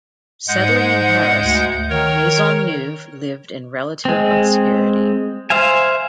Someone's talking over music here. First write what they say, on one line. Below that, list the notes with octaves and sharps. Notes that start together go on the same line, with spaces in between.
Settling in Paris, Maisonneuve lived in relative obscurity.
G#2 G#3 F#5 G6
D2
D#3 A#4 C#5
G#3 C4
C5 E5 F5 G#5